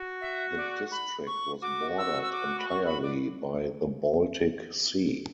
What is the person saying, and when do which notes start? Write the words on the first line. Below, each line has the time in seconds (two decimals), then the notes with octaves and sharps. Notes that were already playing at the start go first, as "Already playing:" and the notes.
The district was bordered entirely by the Baltic Sea.
Already playing: F#4
0.21 E5
0.57 D5
0.92 B5
1.27 C#6
1.62 F#4 D6
1.98 E6
2.22 E6
2.32 D6
2.59 B5
2.68 C#6
2.86 B5
3.02 D5